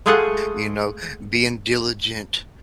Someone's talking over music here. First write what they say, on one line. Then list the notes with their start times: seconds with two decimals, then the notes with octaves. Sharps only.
you know, being diligent.
0.06 G#3 A3 F4 G#4 F5 F#5